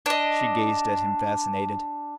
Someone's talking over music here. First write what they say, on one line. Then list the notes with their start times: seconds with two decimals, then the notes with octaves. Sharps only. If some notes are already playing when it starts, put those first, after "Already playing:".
She gazed at him fascinated.
0.06 D4 D#5